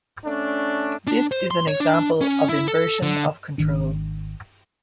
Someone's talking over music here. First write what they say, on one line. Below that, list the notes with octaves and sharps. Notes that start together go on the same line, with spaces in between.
This is an example of inversion of control.
A3 C#4 D4
D4
C5
C6
C#5
D4
C#4
E4
A4
D3
G#1 D#3 D4